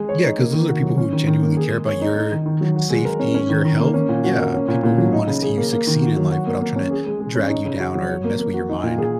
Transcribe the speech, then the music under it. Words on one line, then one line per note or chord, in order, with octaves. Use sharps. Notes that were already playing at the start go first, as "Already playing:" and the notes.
Yeah, 'cause those are people who genuinely care about your safety, your health. Yeah, people who wanna see you succeed in life without tryna drag you down or mess with your mind.
Already playing: G#3 G#4
C#5
D#4
A#3
D#3
F#4
F#3
C#4
D#3
D#3
A#3
G#4
G#3
C#5
D#4
D#4
D#3
D#3
F#3
F#4
G#3
A#4
C#4
C#4
D#3
D#3
A#3
C#4
A#2
F#4
A#3
C#4
A#2
A#2
F#3
D#4
C#3
G#4
A#3
A#3
D#3
F#4
F#3
F#4
A#3
A#3
C#4
G#4
G#3
G#3
C#4
D#4
C#3
F#4
F#3
C#5
A#3
A#3
F#4
D#4
A#2
G#4